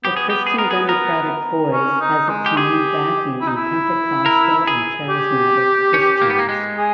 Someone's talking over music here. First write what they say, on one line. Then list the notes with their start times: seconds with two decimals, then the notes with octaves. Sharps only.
The Christian Democratic Voice has its main backing in pentecostal and charismatic Christians.
0.04 B3 G4
0.17 G#4
0.30 G4
0.47 G#4
0.58 A#4
0.71 G#4
0.89 A#4
1.73 C#4
2.01 D#4
2.29 G#3
2.46 G4
2.57 G4 G#4
3.41 E4
3.48 D#4
3.56 E4
4.26 A#4
4.67 G#4
5.09 G4
5.94 C#4
6.22 A#3
6.30 B3
6.39 A#3
6.49 G#3
6.78 G#4